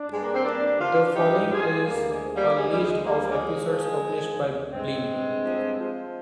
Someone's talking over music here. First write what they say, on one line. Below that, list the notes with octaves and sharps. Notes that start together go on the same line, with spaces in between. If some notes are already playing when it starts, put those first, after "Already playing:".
The following is a list of episodes published by Blim.
Already playing: D4
G2 G#3
A#3
C4
G2 A#3 D4
F3 D4 F4
F4
G2 D#4 G4
F3 F4 G#4
D2 G3 A#3
G#3
F3
G3 A#3
D2 G#3
G3
G#3
D2
G3 A#3
F3 G#3
F3
F3
D2
G2 G#3 C4
G2
F3
F3